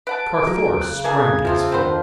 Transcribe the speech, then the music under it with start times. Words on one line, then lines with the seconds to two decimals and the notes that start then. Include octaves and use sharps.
Carthoris sprang to his feet.
0.07 B4 F#5 A5 D7
0.47 F#3 A#3
0.81 C#3 F#6
1.04 A3 A#3 G#4 A#4 A5 G#6
1.45 C3 F3 C4 F4
1.72 F2 D#3 C4 D4 A#4 C5 F#5 B5